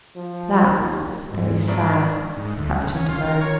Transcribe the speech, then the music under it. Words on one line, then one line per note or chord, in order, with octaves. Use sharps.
"That is very sad, Captain De Baron."
F3
D#2
G#2
G#1 D4
G#2
D2
C#3
C#4
F4
A#4
C#5